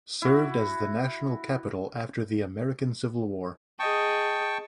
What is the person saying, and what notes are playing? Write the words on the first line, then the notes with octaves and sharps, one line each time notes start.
Served as the National capital after the American Civil War.
E4 F#4
G#4 D#5 G5 A5 C#6